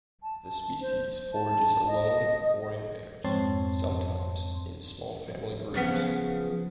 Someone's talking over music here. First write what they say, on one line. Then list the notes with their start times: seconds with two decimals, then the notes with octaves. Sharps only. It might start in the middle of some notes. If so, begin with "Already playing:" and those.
The species forages alone or in pairs, sometimes in small family groups.
0.23 A5
0.81 C5
1.33 A5
1.88 D#5
3.24 F2 G#2 C4 C#5 A5 C6
5.74 C#3 F3 B3